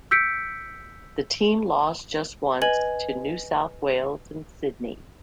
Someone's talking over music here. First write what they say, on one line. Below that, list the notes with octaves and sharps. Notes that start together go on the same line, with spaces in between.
The team lost just once, to New South Wales in Sydney.
E6 G6 B6 C#7 D7
B4 D#5 G#5 G#6 F#7